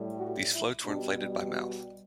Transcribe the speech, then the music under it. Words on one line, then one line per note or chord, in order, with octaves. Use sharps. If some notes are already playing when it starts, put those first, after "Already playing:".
These floats were inflated by mouth.
Already playing: A2 G3
F#4
E4
B2 G3 D4